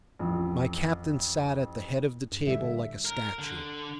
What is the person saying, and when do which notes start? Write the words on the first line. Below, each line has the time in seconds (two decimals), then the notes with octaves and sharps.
My captain sat at the head of the table like a statue.
0.19 A1 F2
2.32 G2
2.47 A2 D3 G3 E5
3.05 A#4
3.39 D3